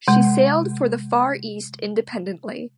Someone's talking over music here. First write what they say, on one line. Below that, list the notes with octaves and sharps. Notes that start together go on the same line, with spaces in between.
She sailed for the Far East independently.
C3 G#3